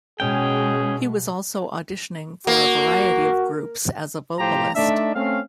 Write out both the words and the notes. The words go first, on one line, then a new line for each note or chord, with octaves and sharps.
He was also auditioning for a variety of groups as a vocalist.
B2 G#3 C#4 G#4 G5
A#3 F#4
A2 F3 F4 G4 C5 A#5
A3 D4 D#4 D5 E5
A3 C4 C#4 F5